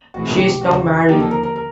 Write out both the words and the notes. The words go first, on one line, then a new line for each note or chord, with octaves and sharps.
She is now married.
B1 A2 E3 G#3 C4 F#4
G4
E2 C#3 E3 G3 F#4
D#2 D3 F3 A#3 D#4 G4
A4
A#4
A#4
A#4